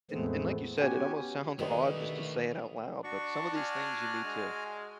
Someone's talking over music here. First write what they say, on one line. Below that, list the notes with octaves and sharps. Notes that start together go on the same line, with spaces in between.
And and like you said, it almost sounds odd just to say it out loud, but some of these things you need to
E2 A2 G#3 A3 B3 C4
B3 C#4 F#4 G4 G#5
B2 D#3 A3 D4 G4
D4 F#4 C#6
F#4 G#5 F6
G#3